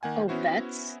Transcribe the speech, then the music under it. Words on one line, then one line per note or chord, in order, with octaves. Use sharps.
Oh, vets?
D#3 A#3 F#5 G#5
B3 C#4 E4 F#4 C5